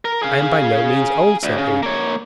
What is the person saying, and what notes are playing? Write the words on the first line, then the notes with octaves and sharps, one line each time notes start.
"I am by no means old," said he.
A#4
G#4 F5
D2
C#3
A#3 C#5